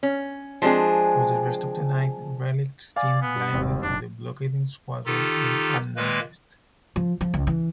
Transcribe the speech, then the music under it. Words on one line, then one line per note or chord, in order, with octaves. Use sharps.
For the rest of the night, "Raleigh" steamed blindly through the blockading squadron, unnoticed.
C#4
F3 G#3 C4 D4 G#4
D5 F5 G#5
B3
G2
D#1 G#1 G2 G3 C4
F1 D4
D#3 D#4 F4 G4 A4
A#2 D#3 G#3 A#3 B4
F3
F3
C#2
E3